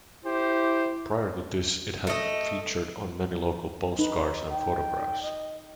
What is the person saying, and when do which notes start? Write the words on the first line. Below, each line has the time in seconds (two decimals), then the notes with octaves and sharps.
Prior to this it had featured on many local postcards and photographs.
0.25 E4 G4 C5
2.07 A3 D#5
3.99 D#4 B4
4.51 G5
5.23 D#5